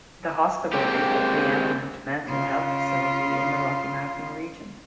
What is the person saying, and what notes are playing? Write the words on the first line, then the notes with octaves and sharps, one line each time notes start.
The hospital is the preeminent mental health facility in the Rocky Mountain region.
G#3 A#3 C4 G4
C#3 F4